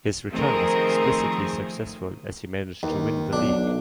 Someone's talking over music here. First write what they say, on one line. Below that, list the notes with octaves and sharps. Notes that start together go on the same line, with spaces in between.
His return was explicitly successful as he managed to win the league.
D#3 F3 A3 C4 G#4 A#4
D#2
B1 D4